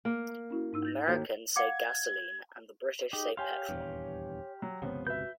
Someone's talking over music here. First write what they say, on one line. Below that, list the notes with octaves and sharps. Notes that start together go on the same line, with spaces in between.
Americans say gasoline and the British say petrol.
A#3
C#4 E4 F#4
G#2 D#4 E6
G6 A6 A#6
D#2 F#4 A4
F5 F#5 D6 G#6
D#4 G4 G#4
G4 C#5 F5 G#5 C6
D#1 E2 G2
F#3
G1 C#2 C3 F3 B3 C#5
F#4 B4 E5 G6